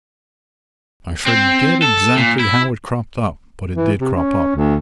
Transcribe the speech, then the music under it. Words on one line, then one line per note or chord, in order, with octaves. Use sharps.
I forget exactly how it cropped up, but it did crop up.
C4
A4
A#2
E4
E3
C3
C#4
D2